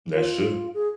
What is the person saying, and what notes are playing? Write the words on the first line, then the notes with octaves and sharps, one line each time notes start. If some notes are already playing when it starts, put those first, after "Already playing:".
That's true.
F4
G#4